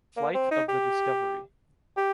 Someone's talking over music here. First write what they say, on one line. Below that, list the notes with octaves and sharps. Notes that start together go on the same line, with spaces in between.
Flight of the Discovery.
A#3
C4
D#4
G4
G4